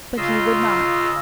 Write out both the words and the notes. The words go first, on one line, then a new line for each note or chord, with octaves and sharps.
But he would not.
C#3 F4 D#5 C6 E6